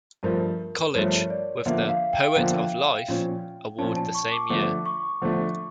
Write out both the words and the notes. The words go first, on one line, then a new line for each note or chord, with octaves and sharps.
College with the "Poet of Life" award the same year.
G2 F3 A3 A#4
G2 F3 A3 C#5
D5
D3 F3 A#3 E5
F5
G5
D3 F3 A#3
A#2 F3 C#4
A#2 F3 C#4 A5
A5
C#6
D6
D3 F3 A3 D6
C#6
D3 F3 A3